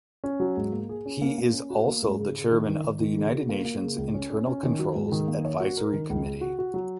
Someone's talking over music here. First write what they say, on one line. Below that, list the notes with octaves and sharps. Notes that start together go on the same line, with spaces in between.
He is also the chairman of the United Nations Internal controls Advisory Committee.
C#4
F#3
G#2
A#3
G#4
C#4
A#3
A#3
C#4
F#4
A#3
G#2
C#3
C#3
D#3
D#3
D#3
D#3
C#3
F#4
A#3
A#3
C#3
C#2
C#4
C#4
C#4
D#3
F#3
G#2
D#3
A#3
C#5
F#4
A#4
D#3
C#2
C#3
F#4
F#4
F#3